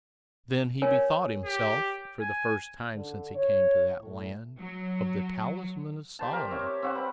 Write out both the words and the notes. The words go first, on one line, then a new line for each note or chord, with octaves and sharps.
Then he bethought himself, for the first time since he came to that land, of the Talisman of Solomon.
A#4 C#5 G#5
G4
G#5
D3
C#5
A2
F#3
G4 C5 A5
G4 A#4 C5 D5
C4 C#5 E5
C#5
C4 F#4 C5 F#5
B4 D5 B5